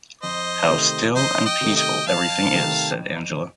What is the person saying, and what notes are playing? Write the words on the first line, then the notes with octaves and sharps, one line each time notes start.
"How still and peaceful everything is," said Angela.
F2 C5 D#5
C3 D#3 A3
F2 C5 D#5
D#5 G5
C3 D#3 A3
D#5 G5
F2 F5 A5
C3 D#3 A3
F2